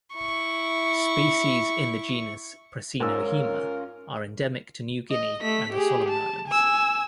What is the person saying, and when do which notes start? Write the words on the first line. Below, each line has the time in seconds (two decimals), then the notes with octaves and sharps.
Species in the genus "Prasinohaema" are endemic to New Guinea and the Solomon Islands.
0.14 E4 C#6
3.00 G#2 C#4 F4 A#4 E6
5.11 D#5
5.42 A3 B6
5.73 G4 G#4
6.09 A5
6.48 G#5 E6